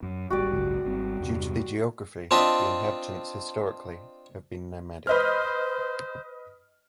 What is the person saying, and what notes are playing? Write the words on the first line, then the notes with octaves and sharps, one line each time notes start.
Due to the geography, the inhabitants historically, have been nomadic.
F#2
D1 G#1 G3 F#4 G4 D5
G#1 C#2 F#2
G#1 G3 C4
E2 G2 C3
C4 D4 F4 D#5 E5
B4 C5 D#5 F6